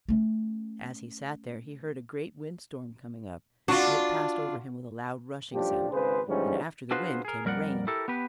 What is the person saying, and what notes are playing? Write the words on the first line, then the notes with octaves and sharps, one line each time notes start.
As he sat there, he heard a great wind-storm coming up, and it passed over him with a loud rushing sound, and after the wind came a rain.
A3 C#4
D4 F4 F#4
A1 F3 G3 D4 G4
G#1 C#3 G#4 B4 C5
D2 G#2 E3 F3 G3 C#4
D4 F4 F#4 G#4 B4 C5
G#4 A#4
F2 G3 A#4 D5 F#5
E4 G4 A4 A#4
B3 G4 B4